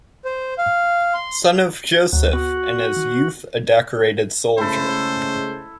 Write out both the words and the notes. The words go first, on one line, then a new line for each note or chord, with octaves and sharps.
Son of Joseph, in his youth a decorated soldier.
C5
F5
C6
D2 F#3
B3 F#4
D#3
C#3 G#3 A3 E4 A4 C5